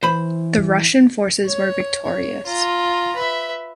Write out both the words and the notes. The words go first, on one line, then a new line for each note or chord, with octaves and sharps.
The Russian forces were victorious.
E3 C5 B5
C#5
C#5
F4 A#5
B4 E5